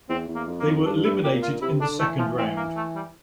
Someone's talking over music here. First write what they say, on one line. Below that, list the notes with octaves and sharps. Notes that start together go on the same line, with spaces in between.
They were eliminated in the second round.
E2 C4
E2
A#3
F2
A#3
F2
G2 D4
E4
A#2 G4
F4
C3 E4
D3 D4
E3 A3
E3 F3
E3 C4
A#3
A3
G3